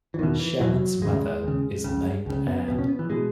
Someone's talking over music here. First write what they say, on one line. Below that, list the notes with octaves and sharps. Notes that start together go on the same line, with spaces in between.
Shannon's mother is named Ann.
E3
E2 B2 D#3
E3
E2 B2 F#3
D#2 C#3 G#3
D#2 C#3
C#2 C#3
C#2 C#3
B3
C#2 B2 B3
C#4
B3
E3
B2 G#3